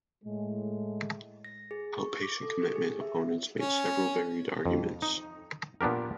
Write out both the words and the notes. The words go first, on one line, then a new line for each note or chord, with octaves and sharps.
Outpatient commitment opponents make several varied arguments.
A2 G#3
A#6
G#4
C#6
D6
A4
G4
G#4
E5
C#4
F2
D#4
A#2 B3 D4 G4 A#4